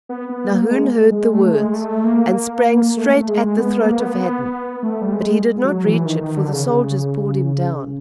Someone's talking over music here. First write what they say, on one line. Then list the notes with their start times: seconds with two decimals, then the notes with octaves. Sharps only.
Nahoon heard the words, and sprang straight at the throat of Hadden; but he did not reach it, for the soldiers pulled him down.
0.09 B3
0.29 B3
0.50 A#3
0.71 G#3
1.11 G#3
1.33 A3
1.53 G#3
1.74 A3
2.04 A#3
2.97 A3
3.28 G#3
3.58 B3
3.80 A#3
4.00 B3
4.20 B3
4.83 A3
5.02 G3
5.13 G#3
5.64 F#3
5.85 E3
6.06 D#3
6.21 D#3
6.36 D3
6.52 C#3